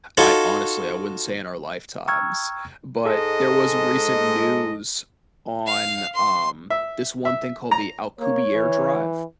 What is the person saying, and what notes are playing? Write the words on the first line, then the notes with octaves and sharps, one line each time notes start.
I, honestly I wouldn't say in our lifetimes, but there was recent news on, um, this one thing called the Alcubierre drive,
D#4 F4 F#4 A4 C#5 B5
G5 A#5 C#6 E6 F6 G#6
G#2 G#3 A4 D#5
F5
C6
E5
E5
A#5
A#3 C#5
E3